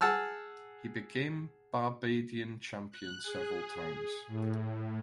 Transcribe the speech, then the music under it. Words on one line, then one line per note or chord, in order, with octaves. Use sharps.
He became Barbadian champion several times.
G#4 F#5 A5 E6 F6
F#6
G#4
A2